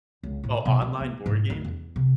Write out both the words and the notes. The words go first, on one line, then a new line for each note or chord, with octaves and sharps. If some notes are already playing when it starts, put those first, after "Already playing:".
Oh, online board games?
C#2
A2
B2
A#3
B3
G#2
D2
E2
C3